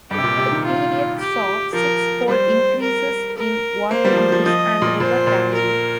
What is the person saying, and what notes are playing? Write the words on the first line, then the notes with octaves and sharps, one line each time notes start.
The period saw sixfold increases in water use and river damming.
G2 G4
C3
A#2
C3
D#3
F4
G4
F3 A#4
G3 C5
A#4
A#4
A#3 C5
G3
F3
G3
F3
F3 D#5
A#2
A#2 C5
A#2
A#4